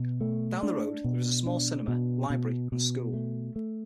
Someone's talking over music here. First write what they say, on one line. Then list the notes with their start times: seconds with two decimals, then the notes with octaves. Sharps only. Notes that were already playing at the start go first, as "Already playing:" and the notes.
Down the road there is a small cinema, library, and school.
Already playing: B2
0.21 A3
0.63 D4
1.04 B2
1.46 D4
1.88 B2
2.30 B2
2.72 B2
3.13 A3
3.56 A3